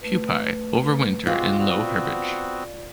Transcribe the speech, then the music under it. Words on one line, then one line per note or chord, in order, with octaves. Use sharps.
Pupae overwinter in low herbage.
A3 B4
G#3 C4 F4 F#4 F5 D6
B3 C4 F#4 D5